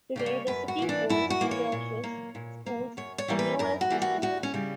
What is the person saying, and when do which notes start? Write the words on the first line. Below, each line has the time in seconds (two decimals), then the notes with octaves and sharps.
Today the city boasts churches, schools, and numerous businesses.
0.16 C#3 G3 A#3
0.26 C#5
0.47 F#2 B4
0.68 F#4
0.79 E3 A#3
0.89 D4
1.09 F#2 E4
1.30 F#4
1.41 E3 A#3
1.51 C#5
1.72 A#2
2.04 A#3
2.35 A#2
2.66 A#3
2.97 F#2 C#5
3.18 C#5
3.28 E3 G3 A#3
3.39 B4
3.59 F#2 A#4
3.81 F#4
3.90 E3 G3 A#3
4.02 F#4
4.22 D2 F#4
4.43 C#4
4.54 C#3 G3